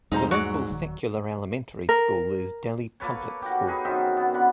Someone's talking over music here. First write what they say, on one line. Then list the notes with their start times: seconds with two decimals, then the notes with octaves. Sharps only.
The local secular elementary school is Delhi Public School.
0.12 E2 G#2 G3 A3 D#4 C5 A#5
0.31 F#3 F#4 D5
0.70 D#1 D#3
1.89 A#4
3.00 A#3 A4 B4 C#5
3.42 F#4 G4
3.67 D#4 G#4 B4
3.85 F#2 D#3 C4 E5
4.17 B3
4.34 D3 F#5 B5